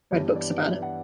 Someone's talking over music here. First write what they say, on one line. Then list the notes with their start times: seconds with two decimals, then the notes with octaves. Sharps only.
I read books about it.
0.11 G2 E3 G3 B3 C#5
0.35 D5
0.58 E5
0.82 F#5